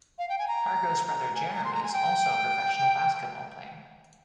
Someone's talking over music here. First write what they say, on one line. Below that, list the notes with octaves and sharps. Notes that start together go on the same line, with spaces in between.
Pargo's brother, Jeremy, is also a professional basketball player.
F5
G5
G#5
A#5
A#5
G#5
A#5
C6
A#5
G#5
G5